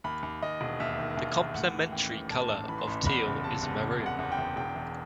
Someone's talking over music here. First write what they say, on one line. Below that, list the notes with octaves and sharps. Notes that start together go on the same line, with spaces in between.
The complementary color of teal is maroon.
D#2 B5
D#2
D#2 D#5
E1
D#2 E5
D#3
D#2
D#2
A2 F#5
E3
A1 G5
A2
A2 A5
A1
E3 B5
C6
A1 B5
E2 B5
F#1
C3 A5
E2
F#1
F#1
F#5
E2
G5
E2
E1 G5
E2